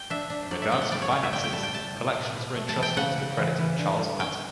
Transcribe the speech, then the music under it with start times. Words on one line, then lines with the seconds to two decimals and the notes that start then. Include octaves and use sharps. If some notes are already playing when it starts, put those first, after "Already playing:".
In regards to finances, collections were entrusted to the credit of Charles Patten.
Already playing: G5
0.10 D4 E5
0.30 D4
0.51 F#3 D5
0.62 E5
0.72 A3 G5
0.82 F#5
0.92 G3 D5
1.02 C#5
1.12 C#3 C#5
1.23 E5
1.33 G3 G5
1.44 G5
1.53 G3 A5
1.63 G5
1.74 A3 A5
1.95 A2
2.14 B2
2.35 B2
2.56 A3
2.69 A5
2.76 E3
2.82 G5
2.97 C#3 F#5
3.18 C#3
3.37 E3
3.58 E3
3.78 D3
3.98 G3
4.19 C#4 G5